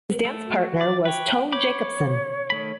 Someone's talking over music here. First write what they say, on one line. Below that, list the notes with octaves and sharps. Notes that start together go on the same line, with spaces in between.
His dance partner was Tone Jacobsen.
A3
F#4
D5
B4 C#5 G5
C#5 B5 D6 G6
D#3 A3 B5